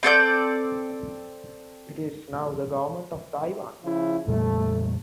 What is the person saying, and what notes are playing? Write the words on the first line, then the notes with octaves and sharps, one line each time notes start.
It is now the government of Taiwan.
C4 A4 D5 G6
C#3 F3 E4
F2 A#2 G3 A3